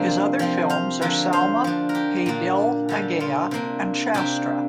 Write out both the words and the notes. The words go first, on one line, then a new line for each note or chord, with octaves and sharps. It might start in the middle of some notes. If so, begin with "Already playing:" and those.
His other films are "Salma Pe Dil Aa Gaya" and "Shastra".
Already playing: C3 F3 A#3 C4 D4 A#4
F3 C4
C5 F5
D3 F3 A#3 D4
C5 F5
F3 D4
A#4
G4
A#2 A#3 D4
D3 G3 D4
F4
C3 A#3 D4
C3 A#3 D4 G4